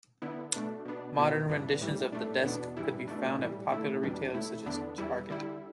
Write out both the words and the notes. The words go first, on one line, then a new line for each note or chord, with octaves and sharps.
Modern renditions of the desk could be found at popular retailers such as Target.
D3 B3 E4
B2 A3 D4
B2 B3 D4
B2 B3 E4
G2 E3 B3 D4
A2 E3 G3
A2 A3 D4
E2 B2 B3 D4
G2 E3 G3 E4
B2 A3 D4
A2 E3 G3
D3 A3 E4
E2 B2 G3 D4
A2 A3 E4
E2 D3 B3 D4
E2 E3 G3 E4
D3 G3 E4